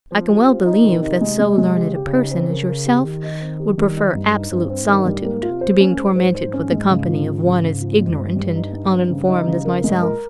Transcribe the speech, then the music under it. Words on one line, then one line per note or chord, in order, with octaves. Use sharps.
I can well believe that so learned a person as yourself would prefer absolute solitude to being tormented with the company of one as ignorant and uninformed as myself.
F3 C4
G4
C4
D#4
C3 D#3
A#2
C3 D#4
G#3
G#3
C3 G#3
G4
C#3
G4
C#3
D#4
C4
A#4
A#4
G4
D#3 G4
D#5
C4
G4
D#3 G3
D#4
G2 G3
D#4
G2 C4
C4
G#2
G2 D#3
G3
G#2 A#3
F4
C3
C5
A#2
C#4
A#2
G#2 C5
C5
C5
C#4
G#3
C#3
F3
C#3
C#3
C#3
F3
G#3
F2
G2 C4
G3
D#4
D#4
C4
C#3
D#4
C#3
F2 A#4
G#3
G2
A#4
A#2